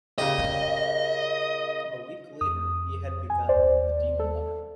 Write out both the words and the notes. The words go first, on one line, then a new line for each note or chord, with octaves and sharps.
A week later he had begun "The Demon Lover."
A#2 C#3 G4 D#5
F2 D#6
F2 G#5
D2 C5 D5
D#2
A4